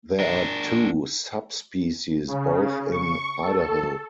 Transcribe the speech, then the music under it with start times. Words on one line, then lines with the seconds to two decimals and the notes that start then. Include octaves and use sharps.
There are two subspecies, both in Idaho.
0.20 D4 A#4
2.28 C#3
2.91 C#6
3.43 A4